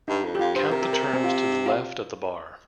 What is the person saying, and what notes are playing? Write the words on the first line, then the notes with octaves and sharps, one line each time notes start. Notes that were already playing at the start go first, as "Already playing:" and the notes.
Count the terms to the left of the bar.
G2 D#4
F2
G4
F2 F4
G2 C5
C3 A#4
G4
A#4
G4
C4
F4
F4